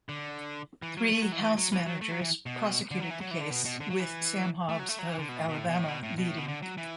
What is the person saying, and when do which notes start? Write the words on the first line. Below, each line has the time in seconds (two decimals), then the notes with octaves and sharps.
Three House managers prosecuted the case, with Sam Hobbs of Alabama leading.
0.09 D3
0.82 E3
0.97 F#3
1.12 A3
1.22 F#3
1.32 E3
1.42 E3
1.57 F#3
1.72 E3
1.86 F#3
2.01 A3
2.12 F#3
2.21 E3
2.46 B2
2.91 D3
3.00 F#3
3.10 E3
3.21 F#3
3.31 E3
3.41 D3
3.50 B2
3.65 B2
3.80 D3
3.90 F#3
4.00 E3
4.69 A3
4.79 F#3
4.89 A3
4.99 F#3
5.09 E3
5.19 D3
5.29 B2
5.38 A2
5.49 B2
5.58 A2
5.68 B2
5.78 A2
5.88 B2
6.03 A2
6.18 B2
6.28 A2
6.38 B2
6.48 D3
6.62 F#3
6.77 E3